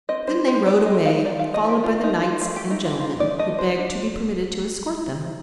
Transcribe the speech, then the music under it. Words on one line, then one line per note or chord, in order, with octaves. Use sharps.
Then they rode away, followed by the knights and gentlemen, who begged to be permitted to escort them.
C4 D#5
G3 C5
C4 C5
G3 D5
C4 D#5
D#4 F5
D#4 D5
F5
F3
D#5
F3 G4
C4 F4
F3 D#4
F3 F4
A3 F4
G4
A3
D#4
D#4 F4
D#4 F4
D#4 D5
A3 D#5
D4 C5
D4